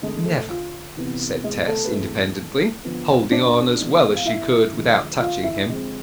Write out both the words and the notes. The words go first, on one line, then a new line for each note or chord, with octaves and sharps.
"Never!" said Tess independently, holding on as well as she could without touching him.
D3 G#3 A3 C4 G#4
A3 A4
F4
C3 E3 B3
G#3 G#4
A3 A4
B4
E3 G#3 A3 C4 A4
D3 F3 B3
D4 D5
E3 G#3 B3
F5
E4 E5
D3 F3 G#3
F4 F5
E4 E5
D3 F3 G#3 C4